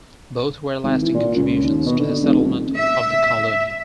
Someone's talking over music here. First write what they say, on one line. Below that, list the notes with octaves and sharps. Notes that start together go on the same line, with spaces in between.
Both were lasting contributions to the settlement of the colony.
G#1
E3
A#2
C#2
D#2
B2
D3
F1
D#1
E5